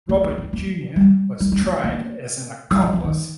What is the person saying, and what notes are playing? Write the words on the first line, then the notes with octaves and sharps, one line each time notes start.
Robert Jnr was tried as an accomplice.
A#3
A#3
C4
A#3
G3
G3
G3
A#3
A#3
G3
F3
F3
D#3